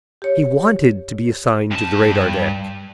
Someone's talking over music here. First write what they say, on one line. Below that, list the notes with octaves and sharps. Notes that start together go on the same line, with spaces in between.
He wanted to be assigned to the radar deck.
G4 C#5
G2 A5